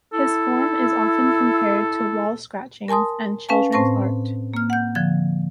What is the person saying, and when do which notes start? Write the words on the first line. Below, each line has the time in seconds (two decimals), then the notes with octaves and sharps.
His form is often compared to wall scratchings and children's art.
0.13 E4 A4
2.88 A#4 G#5 A5 C6 D#6
3.49 C#4 B4 F5 G#5 A5
3.73 A2 C4 C5 A5 C#6 A#6
4.54 A#3 F6
4.70 F#5 G6
4.95 D3 F3 G#6